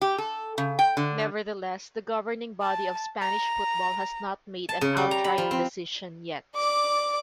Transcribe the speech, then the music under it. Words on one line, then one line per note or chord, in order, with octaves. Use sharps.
Nevertheless, the governing body of Spanish football has not made an outright decision yet.
G4
A4
C#3
G5
D3
A5
A#5
A5
C#3
G3
A#5
B5
F3
C4
D5 D6